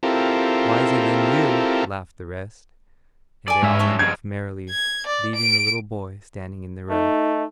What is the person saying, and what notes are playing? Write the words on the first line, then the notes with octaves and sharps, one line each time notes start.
"Wiser than you," laughed the rest; and they all went off merrily, leaving the little boy standing in the road.
C4 E4 F4 G4 A4 A#4
A4 D5 G#5 D6
G#2 C#4 E5
C5 A5 C#6
F2 C#3 G#6
G#6
D5
D7
A3 D#4 D#5